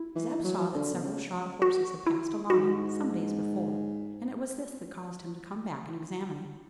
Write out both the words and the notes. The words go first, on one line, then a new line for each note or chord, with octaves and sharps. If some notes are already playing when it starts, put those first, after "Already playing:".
Zeb saw that several shod horses had passed along it, some days before: and it was this that caused him to come back and examine it.
Already playing: E4
E3
F#3
D3
B2
C#3
F#4
E4
G#2 F#4